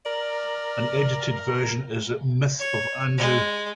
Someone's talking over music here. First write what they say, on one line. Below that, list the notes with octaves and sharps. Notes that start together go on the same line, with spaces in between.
An edited version is at "Myth of Anzu".
A#4 D5
C#5
G#3